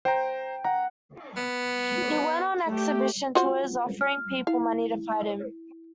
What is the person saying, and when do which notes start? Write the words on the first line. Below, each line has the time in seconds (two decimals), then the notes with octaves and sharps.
He went on exhibition tours offering people money to fight him.
0.05 C5 G5 A#5
0.64 F#5 A#5
1.37 B3
2.65 A3 G4
3.35 F4 F#4 C5
4.01 F6
4.47 E4 F5